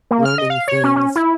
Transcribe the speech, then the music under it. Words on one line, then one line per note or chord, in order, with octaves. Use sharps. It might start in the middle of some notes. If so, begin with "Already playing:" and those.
learning things.
A#3
F6
D#5
F5
C#5
C#4
C#4
E4